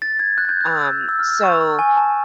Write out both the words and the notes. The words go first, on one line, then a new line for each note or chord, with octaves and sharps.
Um, so,
A6
G#6
F#6
G#6
G6
F#6
E6
E6
F6
E6
C#6
G#5
A5